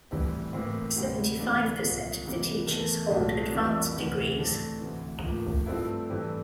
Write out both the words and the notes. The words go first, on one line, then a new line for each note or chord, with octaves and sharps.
Seventy-five percent of the teachers hold advanced degrees.
A2 E3 G3 C4
A2 E3 A#3 C4
D2 C3 G3
D2 C3 E3 A3 C4 D4
C2 A#2 F3
F2 C3 E3 G3 A#3
E2 E3 A3 A#4
C2 A#2 A3
F2 E3 G3 A#3 D4
D2 C3 E3
A2 E3 A3 C4 D4
D2 C3 E3
A2 F3 A#3
G2 F3 A3 C4 E4
G2 E3 A3 C4